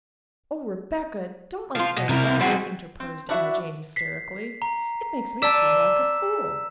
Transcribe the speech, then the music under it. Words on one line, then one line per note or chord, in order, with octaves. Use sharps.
"Oh, Rebecca, don't let's say that!" interposed Emma Jane hysterically. "It makes me feel like a fool."
F3 F4
B2
C3 E4 A#4
G3 C4 F#4 G#4
C4
D4 E4 F#4 E5
B6 C7
A#5
D5 A5 E6 B6 D#7 E7